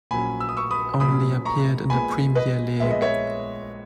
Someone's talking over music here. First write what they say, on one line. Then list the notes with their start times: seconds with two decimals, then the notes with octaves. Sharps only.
Only appeared in the Premier League.
0.11 A#1 A#2 F#3 C#4 G#5 B5
0.40 E6
0.49 D#6
0.57 C#6 E6
0.71 B5 D#6
1.00 A#1 A#2 F#3 C#4 B5 D#6
1.45 A#5 C#6
1.90 A#1 A#2 G#3 B3 G#5 B5
2.35 B4 D#5
2.80 A#1 A#2 G#3 B3 E5
2.91 D#5
3.02 C#5 E5